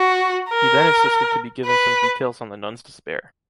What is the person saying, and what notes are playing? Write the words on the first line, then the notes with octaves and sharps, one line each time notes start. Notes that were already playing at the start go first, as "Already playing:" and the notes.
He then insisted to be given some detail on the nuns’ despair.
Already playing: F#4
A#4
B4